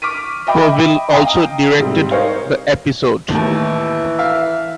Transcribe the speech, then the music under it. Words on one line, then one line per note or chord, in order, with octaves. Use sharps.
Povill also directed the episode.
C#6 D6 F6 B6 D#7
D#5 E5 G5 B5 D6
D#5 F5 G5 A#5 D#6
G#2 C3 G3
D#4 A#4 C5 C#5 F5
D#2 A2 E3
E5 F5